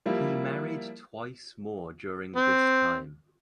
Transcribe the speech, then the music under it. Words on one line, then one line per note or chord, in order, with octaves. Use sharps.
He married twice more during this time.
F3 G3 A#3 E4
C4